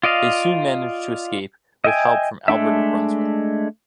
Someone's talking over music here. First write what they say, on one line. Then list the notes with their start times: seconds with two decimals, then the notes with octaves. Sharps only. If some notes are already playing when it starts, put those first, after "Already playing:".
They soon managed to escape with help from Albert of Brunswick.
0.03 F4 D5 D#5 F5
1.84 D#5 E5 G5 G#5
2.48 G#3 A3 D4 E5